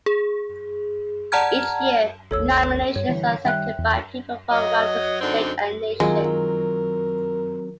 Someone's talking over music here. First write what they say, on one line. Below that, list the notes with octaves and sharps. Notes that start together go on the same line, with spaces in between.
Each year nominations are accepted by people from around the state and nation.
G#4
D5 F#5 A5 A#5 F6 G#6
G#1 D#2 A4 C#5 E6
G2 C#5
D3 E3 G3
D#3 G3 E5 G5 F#6
E2
F#3 D#5
F#2 D3 C4 D4 D#4
D#3 F#3 G#3 C4 F4 A#4